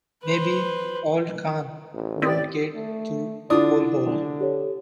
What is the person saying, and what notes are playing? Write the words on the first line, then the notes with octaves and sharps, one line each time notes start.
Maybe auld Khan wouldn't get through the coal-hole.
B4 C5
A1
C4 E4 G4 D5 D#5
A3
D3 D4 E4 F4 D#6
D3
G4 A4 C#5